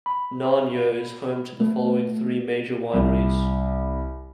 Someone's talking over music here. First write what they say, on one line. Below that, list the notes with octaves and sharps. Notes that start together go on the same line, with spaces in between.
Nanyo is home to the following three major wineries.
B5
A3
C2